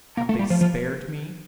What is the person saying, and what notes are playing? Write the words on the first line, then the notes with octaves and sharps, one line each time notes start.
Have they spared me?
A#3
A3
G3
F3
F3